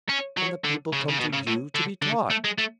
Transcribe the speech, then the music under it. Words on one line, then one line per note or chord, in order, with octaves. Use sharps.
And the people come to you to be taught.
C#4
F#3
D3
C#3
C#3
B2
C#3
A2
D3
D3
A3
G#3
A3